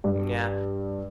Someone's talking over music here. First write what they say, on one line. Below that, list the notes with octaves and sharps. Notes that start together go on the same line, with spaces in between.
M yeah,
G2